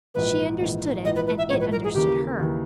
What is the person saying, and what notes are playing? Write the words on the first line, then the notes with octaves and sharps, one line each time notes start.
She understood it, and it understood her.
A#1 G#2 E3 B4
A#1 G#2 E3
A#1 G#2 E3 D#5
B4
B4
E5
A#1 G#2 E3 C#5
B4
A#4
G#4
D#2 C#3 E3 A#3 G4
D#2 C#3 E3 A#3